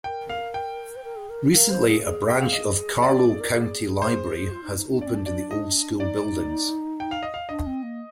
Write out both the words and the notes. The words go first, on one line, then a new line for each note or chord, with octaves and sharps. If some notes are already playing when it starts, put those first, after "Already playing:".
Recently a branch of Carlow County Library has opened in the old school buildings.
A#4 G5
F5
G5
C5
A#4
G#4
A#4
A#4 F5
C5
G#4
G#4
G5
F5
D#5
G4 D5
G4
G#4
A#4
G#4
C5
F4
D#4
D#4
D#4
D4 D5
C4
D4
D5
D#5
D#4 D5
G5
F5
D#5
F5
D4 D#5
C4
A#3